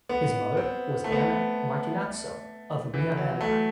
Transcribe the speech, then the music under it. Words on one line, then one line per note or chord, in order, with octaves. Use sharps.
His mother was Anna Martinazzo, of Riabella.
B3
C4
A3
B3
A3
E3
F#3
A3